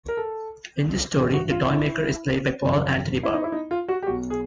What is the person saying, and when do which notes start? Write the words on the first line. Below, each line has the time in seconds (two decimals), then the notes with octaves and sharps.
In this story, the Toymaker is played by Paul Antony-Barber.
0.08 A#4
0.17 A4
1.15 A1 G2 E3 G#4
1.33 F#4
1.51 F4
1.69 E4
2.61 G#1 F#2 C#3 F3
3.23 E4
3.34 D#4
3.44 E4
3.52 D#4
3.71 F4
3.88 F#4
4.03 G4
4.06 B1 B2 F#4
4.30 G#4